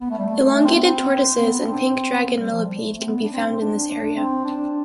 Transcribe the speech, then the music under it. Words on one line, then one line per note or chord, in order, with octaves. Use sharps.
Elongated tortoises and pink dragon millipede can be found in this area.
B3
A3
G3
A3
D4
C4
B3
C4
C4
B3
D4
C4
B3
G3
F3
G3
A3
C4
B3
D4
C4
C4
D4
D4
C4
D4